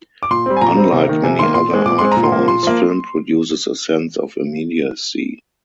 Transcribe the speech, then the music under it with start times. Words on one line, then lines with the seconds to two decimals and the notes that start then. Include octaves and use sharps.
Unlike many other art forms, film produces a sense of immediacy.
0.23 D6
0.31 A#2 C6
0.46 G3 C4
0.57 G#5
0.61 A#2 A#5
0.77 G3 C4
0.93 C3
1.08 D#3 A#3
1.23 C3 G#5
1.39 D#3 A#3 C6
1.54 A#2 C6
1.70 G#3 C4
1.86 A#2 D6
1.99 G#3 C4 C6
2.12 A#5
2.17 A#2
2.23 C6
2.32 F3 A#3
2.48 A#2 C6
2.63 F3 A#3